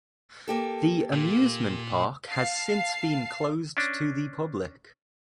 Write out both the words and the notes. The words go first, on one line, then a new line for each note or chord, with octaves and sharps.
The amusement park has since been closed to the public.
A#3 G4 A4
A#2
F5 A5 C7
C#4 D4